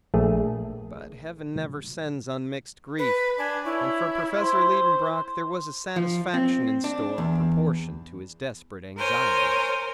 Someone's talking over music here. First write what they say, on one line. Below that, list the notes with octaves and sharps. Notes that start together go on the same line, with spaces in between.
But Heaven never sends unmixed grief, and for Professor Liedenbrock there was a satisfaction in store proportioned to his desperate anxieties.
A#1 A3 G#4
B4
D4 G#5
E4 C#5
C5
F3
C4
D4
E2
A#4 C5 C#5 G#5